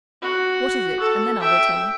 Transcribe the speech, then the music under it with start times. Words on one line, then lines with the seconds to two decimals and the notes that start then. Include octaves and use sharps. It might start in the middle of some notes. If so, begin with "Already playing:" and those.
"What is it, and then I will tell you?"
0.22 F#4
0.99 A4
1.40 E5 G5